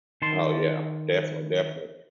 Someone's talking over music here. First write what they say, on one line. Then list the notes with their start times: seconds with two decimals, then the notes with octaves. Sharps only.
Oh, yeah, defin definitely.
0.22 D#3 A5 C6